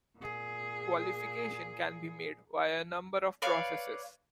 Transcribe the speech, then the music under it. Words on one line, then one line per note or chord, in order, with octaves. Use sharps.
Qualification can be made via a number of processes.
A#2 G#4
B4 C#5 D5 F5